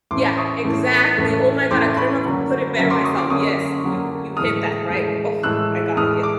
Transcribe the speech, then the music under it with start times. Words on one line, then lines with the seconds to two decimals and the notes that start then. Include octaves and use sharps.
Yeah, exactly. Oh my god, I couldn't have put it better myself, yes, you you hit that right Oh, I got it, yep.
0.11 A2 E3 A3 C#4 C6 D6
0.37 C#6 D#6
0.64 A2 E3 A3 C#4
1.17 A2 E3 A3 C#4
1.71 A2 E3 A3 C#4 C6 D6
1.97 B5 C#6
2.24 F#2 D3 F#3 A#3 C#4
2.77 F#2 D3 F#3 A#3 C#4
2.90 C6 D6
3.04 C#6 D#6
3.17 C6 D6
3.30 F#2 D3 F#3 A#3 C#4 C#6 D#6
3.84 F#2 D3 F#3 A#3 C#4
4.37 A2 E3 G#3 D#6 F6
4.90 A2 E3 G#3
5.43 A2 E3 G#3 E6 F#6
5.97 A2 E3 G#3 D#6 F6
6.23 D6